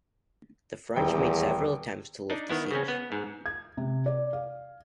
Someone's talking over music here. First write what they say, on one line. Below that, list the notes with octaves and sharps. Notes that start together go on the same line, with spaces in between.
The French made several attempts to lift the siege.
D#1 E2 G5
D4 D#4
D#3 B3 E4
C#3 C4 C#4
B3
G#2
G#6
C3
D5
F5